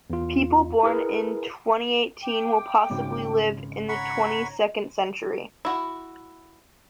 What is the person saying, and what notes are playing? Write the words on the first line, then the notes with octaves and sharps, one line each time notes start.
People born in twenty-eighteen will possibly live into the twenty-second century.
E2 F4
E4 G#4 A#4 B4
G5 D6
G#1 C#3 F#4
C#5 F#5 A#5 B5 C#6
E4 F#4